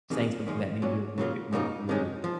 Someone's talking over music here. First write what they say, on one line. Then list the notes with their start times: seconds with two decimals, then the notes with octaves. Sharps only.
saying something that may be a little bit more rude
0.10 F2 C3 D#3 G#3
0.47 F#2 D#3 G#3
0.82 A#2 F#3 C#4 F#4
1.18 C#3 F#3 A#3 F4
1.53 F#2 C#3 F3 A#3 D#4
1.89 C3 D#3 G#3 C#4
2.24 F3